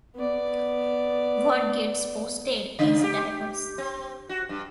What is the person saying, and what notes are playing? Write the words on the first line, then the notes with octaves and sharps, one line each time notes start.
What gets posted is diverse.
B3 D5
C#3
G4
C4
F#4
G2